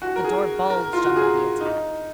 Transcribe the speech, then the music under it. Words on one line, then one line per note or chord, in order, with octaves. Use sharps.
The door bulged under the attack.
F#4
A#4
G#4
A#4
F4
F#4
G#4
D#4